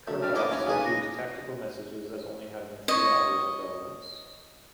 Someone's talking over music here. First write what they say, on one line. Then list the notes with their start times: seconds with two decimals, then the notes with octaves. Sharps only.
Kerckhoffs viewed tactical messages as only having a few hours of relevance.
0.08 F#2 A3
0.22 G3 D4 G4 F6
0.35 A#3 E4 A4 B4 D#5 E5 D6
0.51 D#2 C#4 F#4 C#5
0.66 C#3 F3 G#3 D#4 G#4 B4 G#5
0.85 A#6
2.88 C#5 D#5